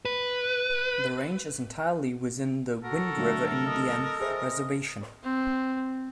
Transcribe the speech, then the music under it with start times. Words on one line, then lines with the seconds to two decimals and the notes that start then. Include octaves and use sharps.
The range is entirely within the Wind River Indian Reservation.
0.05 B4
2.84 F#4 A4 A#4
3.16 D3 F#3 A3
3.67 D#5
4.20 G#4 C5 D#5 E5
5.23 C4